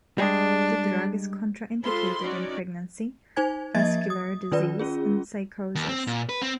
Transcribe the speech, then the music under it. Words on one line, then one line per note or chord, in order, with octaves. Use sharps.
The drug is contraindicated in pregnancy, vascular disease, and psychosis.
G3 G#3 D4 G#4
G#3 F4 A4 C5 B5 C6
C#4 D#4 F#4 D5
D#4 C5 G#5 G#6
F3 A#3 D#5 E5 G#6 A6
D#6
D#3 C#4 F4 B4 D5
C#4 F4 G#4
D#2
C4
A#2
B4
C4